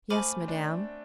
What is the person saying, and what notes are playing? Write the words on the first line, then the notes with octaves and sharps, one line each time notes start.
"Yes, Madame."
A3 C5 G#5 B5 D6 F6
C4
D4